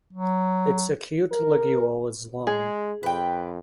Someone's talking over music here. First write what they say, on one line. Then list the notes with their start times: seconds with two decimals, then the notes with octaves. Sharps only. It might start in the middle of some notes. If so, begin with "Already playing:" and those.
Its acute ligule is long.
0.13 F#3
1.32 A#4
2.47 G#3 G#4
3.03 F2 B4 G5